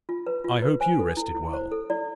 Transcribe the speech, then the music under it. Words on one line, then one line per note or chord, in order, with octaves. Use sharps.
I hope you rested well.
F4
B4
F4
B4
C5 G#5
A4
E4
E4
C5
A4
E4 D5